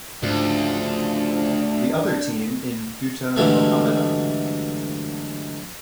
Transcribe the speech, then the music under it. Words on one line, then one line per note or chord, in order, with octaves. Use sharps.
The other team in Bhutta Mohammadan.
D2 G#2 C#3 F3 D4
D2 G2 E3 F#3 G#3 A3